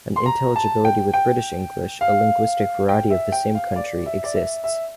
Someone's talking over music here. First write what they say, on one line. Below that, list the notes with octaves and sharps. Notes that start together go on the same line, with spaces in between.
An intelligibility with British English, a linguistic variety of the same country, exists.
C6
A#5
A5
G5
G5
F5
G5
E5
G5
F5
D5
E5
D5
E5
E5